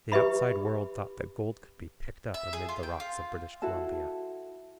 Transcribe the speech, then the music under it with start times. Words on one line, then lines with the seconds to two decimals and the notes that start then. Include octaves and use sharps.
The outside world thought that gold could be picked up amid the rocks of British Columbia.
0.12 G4 B4 E5 B5
2.34 E5
2.53 G#4
2.69 F4
2.83 G5
3.00 F4
3.62 E4 F#4 A4 A5